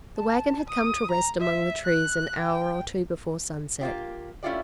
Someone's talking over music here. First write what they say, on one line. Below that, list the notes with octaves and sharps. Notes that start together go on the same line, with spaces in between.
The wagon had come to rest among the trees an hour or two before sunset.
A5
D#6
A#5
E5
F#6
G5
A#3 F4 G4
A3 C#4 E4 F4 G4 D5